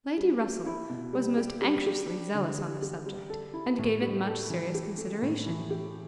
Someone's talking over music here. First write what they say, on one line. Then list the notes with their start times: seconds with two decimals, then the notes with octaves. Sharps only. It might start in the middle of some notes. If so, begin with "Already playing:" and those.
Lady Russell was most anxiously zealous on the subject, and gave it much serious consideration.
0.18 G3
0.41 G4
0.66 E4
0.89 B2
1.13 G3
1.37 G4
1.62 G3
1.86 G4
2.10 D4
2.34 D3
2.59 G3
2.82 G4
3.06 G3
3.30 A4
3.54 E4
3.79 A2
4.02 G3
4.26 A4
4.50 E3
4.74 G4
4.98 A3
5.22 A2
5.46 E3
5.70 G4